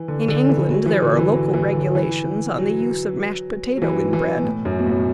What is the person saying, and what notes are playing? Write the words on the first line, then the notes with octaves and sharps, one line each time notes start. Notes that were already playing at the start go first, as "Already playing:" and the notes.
In England there are local regulations on the use of mashed potato in bread.
Already playing: E3
D3
D3
E3
F#3
E3
D3
E3
F#3
E3
D3
E3
F#3
F#3
E3
E3
B2
A2
F#2
B2
A2